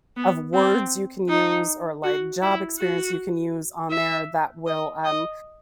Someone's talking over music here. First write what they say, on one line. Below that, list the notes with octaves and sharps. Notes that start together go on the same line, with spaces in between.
of words you can use or, like, job experience you can use on there that will, um,
B3
C4
D#4
F#4
E4
F#4
E5
D#5
D#5